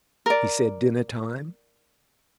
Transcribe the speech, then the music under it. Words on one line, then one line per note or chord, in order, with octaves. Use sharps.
'He said dinner-time.'
A#4 D5